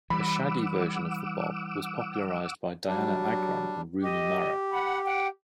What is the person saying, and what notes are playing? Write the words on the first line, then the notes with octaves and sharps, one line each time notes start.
A shaggy version of the bob was popularized by Dianna Agron and Rooney Mara.
E3 G3 F#5 B5 D6 E6
F#3 G3 D4
G4 D#5
F#5 B5
F#5 G5